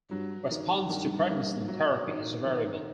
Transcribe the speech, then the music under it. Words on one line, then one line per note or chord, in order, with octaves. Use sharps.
Response to prednisone therapy is variable.
G2 F#3
D#3
G2 D#3
A#3
F#3
D#3
D#3